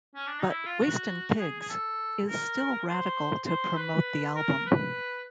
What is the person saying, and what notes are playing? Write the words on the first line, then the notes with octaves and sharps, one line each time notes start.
But Wastin Pigs Is Still Radical to promote the album.
C#4
D4
D#4
E4
F4
F#4
G#4
G#4
A4
A#4
C5
C5
B4
A#4
B4